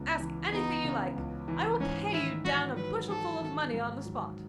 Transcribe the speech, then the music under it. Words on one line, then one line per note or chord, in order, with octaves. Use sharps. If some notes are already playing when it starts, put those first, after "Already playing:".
'Ask anything you like! I will pay you down a bushelful of money on the spot.'
Already playing: C#2 C#3 B3
E3
B3 D#4
C#3
C#2
E3
G#2 C#4
D#3 E4
G#2 F#4
F#3 B4
G#2 A4
D#3
G#2
F#3